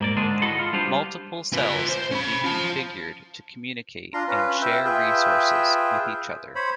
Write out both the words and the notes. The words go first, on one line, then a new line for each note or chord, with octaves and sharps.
Multiple cells can be configured to communicate and share resources with each other.
G#2 A#3 D5
G#2 D3 D#3 G#3 D4 G#4
E4 F#4 G#4 A4 D#5 F#5
F4
G3 B3 D4 F4 G4 C5
F4 B4
C5
C#4 B5
F4 A5
D4 F4 A#5 C6
C#4 F4 B4
B4 E5 G5
F4 G#4 B4 E5 G5
C5 C#5 B5